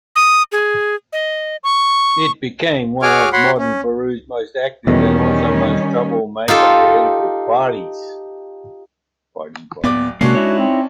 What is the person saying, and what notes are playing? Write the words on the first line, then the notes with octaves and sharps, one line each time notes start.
It became one of modern Peru's most active and also most trouble-maker political parties.
D#6
G#4
D#5
C#6
F#4 G#4 C#5 G#5 D6 F6
F#4 C#5 F#5 B5 C6
C#4
E2 B2 D#3 G3 C#4
D#4 F4 G4 A4
D1 B3 D5 D6
C3 G#3 A#3 C#4 D4 F#4
D#4 E4 C#5
C4